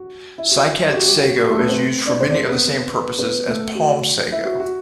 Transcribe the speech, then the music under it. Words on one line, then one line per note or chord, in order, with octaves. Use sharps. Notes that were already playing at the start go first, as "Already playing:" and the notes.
Cycad sago is used for many of the same purposes as palm sago.
Already playing: F#4
E4
F#4
E4
G4
F#4
G3 G4
F#4
F#4
A3 A4
B3 B4
C4 C5
D4 D5
C4 C5
D5
C4 C5
B3 B4
B3 B4
A3 A4
F#4
E4
F#4
F#4